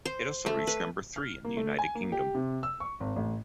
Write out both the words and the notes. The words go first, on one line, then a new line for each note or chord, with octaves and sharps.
It also reached number three in the United Kingdom.
C5
A3
B4
F6
A#3
A3
G#5
A#3
G4
C3
E6
C#6
G#1
A1